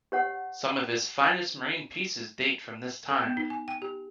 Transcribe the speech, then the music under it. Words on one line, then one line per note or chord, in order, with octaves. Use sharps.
Some of his finest marine pieces date from this time.
G4 C#5 F#5
A4
B3
D#4
G#5
G5
G4